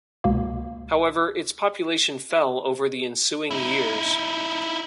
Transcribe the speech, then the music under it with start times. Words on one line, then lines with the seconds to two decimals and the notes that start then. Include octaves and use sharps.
However its population fell over the ensuing years.
0.24 C#2 B2 A#3
3.51 D#4 E4